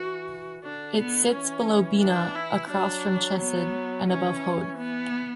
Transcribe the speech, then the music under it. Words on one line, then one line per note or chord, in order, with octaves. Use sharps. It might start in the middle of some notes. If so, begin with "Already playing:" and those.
It sits below Binah, across from Chesed, and above Hod.
Already playing: E3 F#4
D3 D4
B3
E3 C#4
D4
E4
F#3 D4
B3
E3 C#4
B3